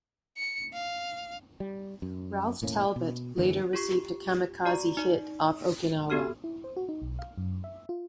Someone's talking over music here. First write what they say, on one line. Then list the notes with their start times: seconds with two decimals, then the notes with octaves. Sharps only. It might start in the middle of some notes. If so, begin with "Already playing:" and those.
"Ralph Talbot" later received a "kamikaze" hit off Okinawa.
0.37 C#7
0.73 F5
1.60 G3
2.02 F#2
2.62 E1 A2 A#3 C#4
2.96 B2
3.37 F#2 D3 E3 A#3
3.73 F4 G4 C#6 C7
4.65 F#4 D5 A#5 C#6
4.97 D#4 D5
6.10 B3 F#4 G4 A4 F6
6.44 E4
6.64 C5
6.77 F#4
6.89 D#4
7.02 B1
7.19 F5
7.38 F#2
7.64 E5
7.89 F4